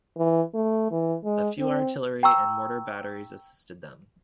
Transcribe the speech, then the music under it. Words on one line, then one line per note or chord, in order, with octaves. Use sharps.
A few artillery and mortar batteries assisted them.
E3
A3
E3
G#3
C4
G5 A#5 C#6 E6